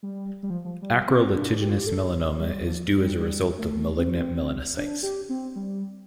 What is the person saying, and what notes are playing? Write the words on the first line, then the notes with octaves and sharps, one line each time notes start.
Acral lentiginous melanoma is due as a result of malignant melanocytes.
G3
G3
F3
F3
G3
C4
D4
G4
F4
G4
A4
G3
F3
G3
G3
A3
C4
D4
G4
C4
G3